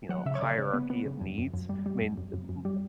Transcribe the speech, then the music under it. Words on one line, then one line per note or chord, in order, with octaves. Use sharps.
you know, hierarchy of needs, I mean, m m
F#3 F#5
C#3 E5
C#5
C#3 D5
C#3 C#5
B3
B3
C#3
F#2
F#2
F#2
G3
G3
F#2
F#2
F#2
F#2
G3